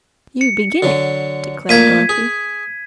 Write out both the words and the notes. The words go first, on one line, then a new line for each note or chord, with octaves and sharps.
"You began it," declared Dorothy.
C#7
D3 F#3
A#2 A3 A#3 G#6 B6 D#7
G#4